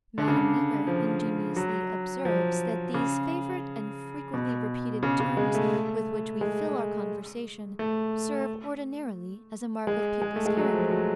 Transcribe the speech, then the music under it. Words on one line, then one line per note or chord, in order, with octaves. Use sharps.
Madame Necker ingeniously observes that these favorite and frequently repeated terms with which we fill our conversation, serve, ordinarily as a mark of people's character.
D3
C#3
D3
F3
F#3
F3
C#3
B2
C#3
C#3
G#3
A3
G#3
A3
G#3
G#3
A3
G#3
F#3
F3
F#3